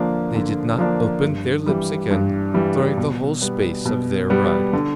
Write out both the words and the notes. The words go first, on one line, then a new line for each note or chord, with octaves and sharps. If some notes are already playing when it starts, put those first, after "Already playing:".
They did not open their lips again during the whole space of their ride.
Already playing: D3 F3 A#3 D4
D3
F3 A#3 D4
G2
E3 G3
G2
E3 G3
B2
G3 B3
B2
G3 B3
D3